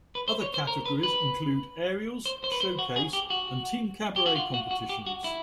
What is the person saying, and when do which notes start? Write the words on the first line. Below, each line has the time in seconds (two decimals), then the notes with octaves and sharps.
Other categories include Aerials, Showcase, and Team Cabaret competitions.
0.15 B4
0.28 C5
0.41 C#5
0.54 C5
0.67 A#4
0.86 B4
1.03 B4
2.26 C5
2.44 C5
2.52 B4
2.60 C5
2.79 F#4
2.96 G#4
3.13 G4
3.30 F#4
4.16 G4
4.26 F#4
4.36 F4
4.54 F#4
4.71 F#4
4.89 G4
5.06 F#4
5.24 E4